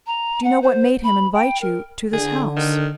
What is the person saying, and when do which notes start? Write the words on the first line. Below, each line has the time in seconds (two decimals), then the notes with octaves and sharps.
"Do you know what made him invite you to this house?"
0.06 A#5
0.44 F#5
0.62 C5
1.04 B5
1.34 G5
1.61 A#4
2.13 D3 G#4
2.56 D#3